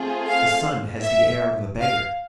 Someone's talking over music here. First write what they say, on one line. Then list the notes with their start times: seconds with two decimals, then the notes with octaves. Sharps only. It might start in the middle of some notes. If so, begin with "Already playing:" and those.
The sun has the air of a beggar.
Already playing: A3 C4 F4 G#4
0.29 F5
1.05 E5
1.81 F5